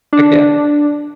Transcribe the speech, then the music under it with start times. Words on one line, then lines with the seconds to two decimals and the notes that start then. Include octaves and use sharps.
Heck yeah.
0.13 D4